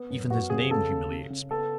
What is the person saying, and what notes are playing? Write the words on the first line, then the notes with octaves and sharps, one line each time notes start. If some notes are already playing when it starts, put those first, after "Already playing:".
Even his name humiliates me.
Already playing: B3
F#2
B3 F#4
C#3 G#4
C#3 A4
C#3
C#3
C#3
B3 A4